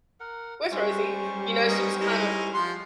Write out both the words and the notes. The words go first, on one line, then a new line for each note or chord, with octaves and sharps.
Where's Rosie?" You know, she was kind of,
A#4 F#5
G3 C#4 C5 C#6
B3 D#4 A#4
D#4 E4
F3 F#5 C6